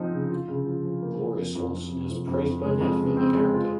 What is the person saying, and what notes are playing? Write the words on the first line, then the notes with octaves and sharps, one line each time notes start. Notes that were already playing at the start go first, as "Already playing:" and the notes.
Gloria Swanson has praised Burnett for the character.
Already playing: F3 C4 D#4
C#3
F4
C#3
F3
F3
A#3
F3
F2
F2
F2
C3
F2
F2
F2
G#3
F2
C#3
C4
G#3
F4